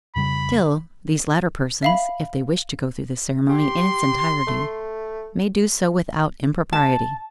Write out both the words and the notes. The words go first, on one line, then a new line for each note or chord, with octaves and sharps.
Still, these latter persons, if they wish to go through the ceremony in its entirety, may do so without impropriety.
F2 C#3 G3 B5
E5 F5 B5
G4 C6
A3
A5